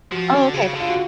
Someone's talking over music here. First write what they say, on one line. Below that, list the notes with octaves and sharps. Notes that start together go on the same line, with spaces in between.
Oh, okay, tha
F3 F#4
D3
C#3 G#4
D3
F4
F#4